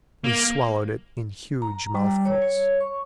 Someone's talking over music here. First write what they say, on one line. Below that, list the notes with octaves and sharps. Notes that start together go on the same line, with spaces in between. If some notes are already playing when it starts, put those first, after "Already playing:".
We swallowed it in huge mouthfuls.
A#3
A#5
G3
C#5
C#5
C#6